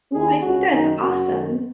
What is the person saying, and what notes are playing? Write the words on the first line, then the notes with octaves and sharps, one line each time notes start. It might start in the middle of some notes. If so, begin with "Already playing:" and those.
Well, I think that's awesome.
D#2 D#3 G#4
C#2 C#3 F#4
F#2 D#3 D#4
F#2 C#3 F#4
F#2 D#3